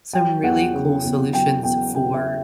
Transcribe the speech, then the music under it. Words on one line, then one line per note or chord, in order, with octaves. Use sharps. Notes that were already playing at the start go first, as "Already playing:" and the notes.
some really cool solutions for
F#3 G5
E2 F#5
C#3
E2
F#3 G5
E2 G5
C#3 G5
E5